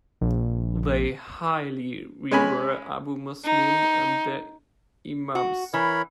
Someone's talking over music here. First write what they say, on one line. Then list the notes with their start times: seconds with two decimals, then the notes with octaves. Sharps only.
They highly revere Abu Muslim and their imams.
0.21 A#1
2.31 G#3 C#4 G#5 B5
3.45 D#4
5.35 F#4
5.74 E3 A#4 C#5 B5